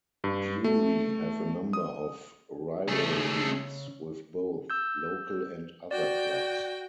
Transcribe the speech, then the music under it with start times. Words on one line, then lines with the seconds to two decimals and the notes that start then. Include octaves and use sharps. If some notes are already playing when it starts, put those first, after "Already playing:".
Bury have a number of rivalries with both local and other clubs.
0.24 G2
0.64 A3
1.73 D#6
2.88 C#3 A3 G#4
4.70 E6 G6
5.91 F#4 D5 G5